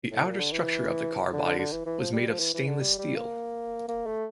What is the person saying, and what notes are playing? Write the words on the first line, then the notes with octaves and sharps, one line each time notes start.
The outer structure of the car bodies was made of stainless steel.
A2
A#2
D3
E3
D3
D3
D3
E3
E3
F3
G3
F3
E3
E3
D3
G3
G3
A#3
A#3
A3